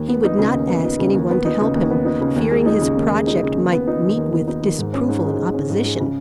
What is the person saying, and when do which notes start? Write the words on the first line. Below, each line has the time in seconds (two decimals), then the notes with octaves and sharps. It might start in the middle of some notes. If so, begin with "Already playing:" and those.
He would not ask any one to help him, fearing his project might meet with disapproval and opposition.
Already playing: D#2
0.09 B3
0.24 D#4
0.38 C#3
0.54 D#2
0.68 B3
0.84 D#4
0.99 C#3
1.14 D#2
1.30 B3
1.45 D#4
1.61 C#3
1.75 D#2
1.91 B3
2.05 D#4
2.21 C#3
2.36 D#2
2.50 G#3
2.66 D#4
2.81 C#3
2.97 D#2
3.12 G#3
3.27 D#4
3.42 C#3
3.57 D#2
3.72 B3
3.87 D#4
4.03 D#3
4.17 D#2
4.32 B3
4.48 D#4
4.63 D#3
4.79 G#2
4.93 C#4
5.08 G#2
5.24 G#3
5.39 G#2
5.54 C#4
5.70 G#2
5.85 G#3
6.00 C#3